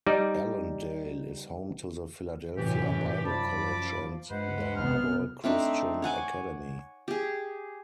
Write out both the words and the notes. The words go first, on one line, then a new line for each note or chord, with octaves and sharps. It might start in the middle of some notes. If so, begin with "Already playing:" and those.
Ellendale is home to the Philadelphia Bible College and the Harbor Christian Academy.
G3 D#4 D5
F1 F#2 A2 E3 G4
F#2 F3 D5 A5 B5 D6
G2 G#3 B4 C5 F#5
B1 C3 B3 F6
A3 C4 D4 D#4
C#5 F#5 G#5 D6
G4 G#4